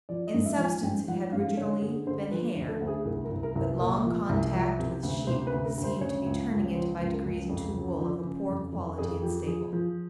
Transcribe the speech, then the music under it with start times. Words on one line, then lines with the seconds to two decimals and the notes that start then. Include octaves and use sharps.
In substance it had originally been hair, but long contact with sheep seemed to be turning it by degrees into wool of a poor quality and staple.
0.09 F3 D5
0.27 D#5
0.34 G#2
0.46 E5
0.58 F3
0.65 G#5
0.83 G#2 G5
1.08 F3 F#5
1.32 G#2 F5
1.57 D3 C#5
1.82 D3 G#4
2.07 D3 C5
2.32 F3 B4
2.56 D2
2.68 A4
2.80 D2
2.87 G#4
3.05 C2 A#4
3.25 A#4
3.30 C2
3.43 A#4
3.55 C2
3.61 B4
3.80 A#2
4.05 F3
4.29 C2
4.54 F3
4.79 C3
5.03 D2
5.27 C3 C5
5.47 B4
5.52 D2
5.65 A#4
5.77 D2
5.84 C5
6.01 C#3 C#5
6.26 C#2
6.52 C#2
6.75 F3 C5
7.01 C#2
7.13 A#4
7.25 C#2
7.50 F2
7.74 C#3
7.99 F3
8.24 C#3
8.49 F2
8.73 F2
8.98 F2 G#4
9.23 F3 G4
9.47 F3 G#4
9.73 F3